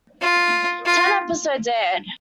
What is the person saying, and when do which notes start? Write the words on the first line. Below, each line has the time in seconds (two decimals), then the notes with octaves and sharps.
Ten episodes aired.
0.22 F4
0.86 F4